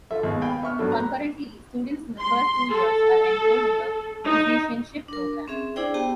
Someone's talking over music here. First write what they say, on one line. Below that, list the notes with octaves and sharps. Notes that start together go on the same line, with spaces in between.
Concurrently, students in the first two years are enrolled in the Physicianship Program.
F4 A4 E5
D#2 G#3 B3
F5 G5 G#5 B5
B3 E5 C#6 F6
A2 F#3 D4 A4
B4 A#5
C6
A4
D#4
D4 A#4
C4 C#4 G#4 E5
D4 E4 G#4 C5 D5 G5
B3 G4 G5 A5